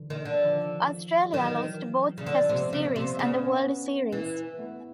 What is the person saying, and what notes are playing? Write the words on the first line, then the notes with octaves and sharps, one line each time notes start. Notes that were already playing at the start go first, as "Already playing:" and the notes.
Australia lost both Test series and the World Series.
Already playing: D3 E3
D#3
D3
D#3 F3
G3
D#3 E3 F#3
C#3
D3 F3 G3
C3 A3 B3
C#3 A#3 C4
C3
C#3 B3 C#4
B3 C#4
E3
A3 B3